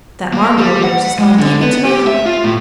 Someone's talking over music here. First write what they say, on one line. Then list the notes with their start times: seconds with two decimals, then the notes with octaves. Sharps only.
'That Margaret of yours has gone deep into my heart.
0.33 A#3
0.58 G3
0.84 F#5
1.19 G#3
1.38 D3
1.62 B3
1.85 G4
2.07 E5
2.26 F4
2.44 A2